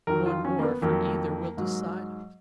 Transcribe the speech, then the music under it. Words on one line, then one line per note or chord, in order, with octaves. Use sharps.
One more for either will decide it.
F2 D#3 F#3 A#4
F4
C#4
A#3
B3
F2 D#3 F#3 A#3
G#2 F#3